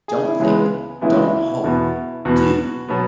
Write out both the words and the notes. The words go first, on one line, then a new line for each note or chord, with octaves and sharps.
Don't think, don't hope, do!
G#4
E4
C#2 C#3 E3 G#3 B3
C#2 C#3 E3 G#3 B3 E4
F#4
E4
E2 B2 B3
E2 B2 B3 F#4
B2 F#3 B3